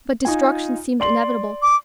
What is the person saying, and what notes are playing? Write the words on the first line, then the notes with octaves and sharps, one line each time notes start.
But destruction seemed inevitable.
D#4 F4 G#5
D5 C6 F#7
D6